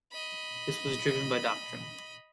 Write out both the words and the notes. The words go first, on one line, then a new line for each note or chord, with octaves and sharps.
This was driven by doctrine.
D#5 B5